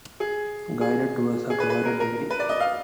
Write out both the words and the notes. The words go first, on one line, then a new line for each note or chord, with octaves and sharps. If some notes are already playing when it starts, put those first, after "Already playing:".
Guided tours are provided daily.
G#4
G#4
G#4
B4
B4
A#4
A#4
B4
D5
D#5
F5